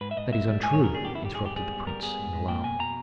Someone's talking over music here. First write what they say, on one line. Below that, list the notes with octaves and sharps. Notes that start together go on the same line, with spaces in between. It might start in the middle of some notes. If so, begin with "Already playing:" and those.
"That is untrue!" interrupted the prince, in alarm.
G#2 B4
E5
G#2 D#5
G#2 E5
G3
G#2 G#5
C#5
B3
A#4
G3 G#4
G4
B3
E4
G3 G4
G#4
G#2 G4
G3 G#4
B3
G3 A#4
B3 G#4
G#2
G#2
A#3 G5
B2 G#5
B2 A#5